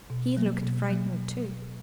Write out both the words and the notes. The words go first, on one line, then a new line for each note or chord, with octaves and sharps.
"He looked frightened too."
B2
F#3 A#3
B2
F#3 A#3